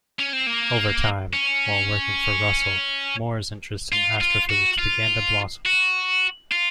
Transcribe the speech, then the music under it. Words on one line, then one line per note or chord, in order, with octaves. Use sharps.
Over time, while working for Russell, Moore's interest in astrophysics began to blossom.
C#4
C4
A#3
C#4
F4
F4
F#4
F4
F#4
F4